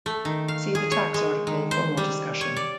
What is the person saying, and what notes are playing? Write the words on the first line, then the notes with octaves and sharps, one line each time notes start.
See the tax article for more discussion.
A3
D#3
F5
G#4
C#5
G#3
D#3
C5
G3
C#5
D5